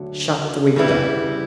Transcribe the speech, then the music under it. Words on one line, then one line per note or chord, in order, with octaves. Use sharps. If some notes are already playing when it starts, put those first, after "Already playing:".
Shut the window.
Already playing: D2 D3 F#3
C#3 E3 G3 C4 E4